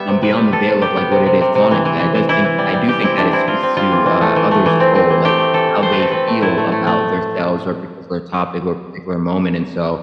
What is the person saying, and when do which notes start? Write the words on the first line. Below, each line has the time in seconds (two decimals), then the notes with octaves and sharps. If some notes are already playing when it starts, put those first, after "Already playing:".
um, beyond the veil of like what it is sonically, I does think I do think that it speaks to, uh, others' soul, like how they feel about their selves, or a particular topic, or a particular moment, and, so,
Already playing: G3 B3 E5
0.08 C3
0.22 C3 B4
0.37 G3
0.52 B3 A4
0.68 C3
0.82 G3 G4
0.97 B3
1.12 C3
1.26 C3
1.41 C3
1.55 C3
1.71 E3
1.85 E3
2.00 E3
2.15 E3
2.29 E3 E4
2.44 E3
2.58 G3
2.74 G3
2.88 E3 G4
3.04 C4 E4
3.17 E3 D4
3.33 C4 E4
3.47 C4 F4
3.63 C4
3.77 G3 F4
3.92 E3
4.06 E3
4.21 A3
4.36 E3
4.51 A3
4.66 E3
4.80 C4
4.95 C4
5.10 E3
5.25 A3 G4
5.39 A3
5.53 E3 A4
5.69 E3
5.83 A3 C5
5.92 B4
5.98 C4 A4
6.11 C4 B4
6.28 A3
6.42 A2 E4
6.58 A3
6.72 A3
6.87 A3